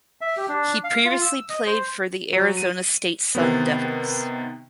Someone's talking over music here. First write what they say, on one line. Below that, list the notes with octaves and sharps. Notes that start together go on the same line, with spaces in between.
He previously played for the Arizona State Sun Devils.
E5
G4
D4
F5
F4
E6
D#5
C5
F#3
D#7
C3 D#3 B3